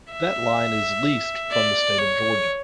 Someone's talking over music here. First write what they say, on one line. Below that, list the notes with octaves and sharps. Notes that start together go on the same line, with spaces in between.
That line is leased from the state of Georgia.
E5
D5
C#5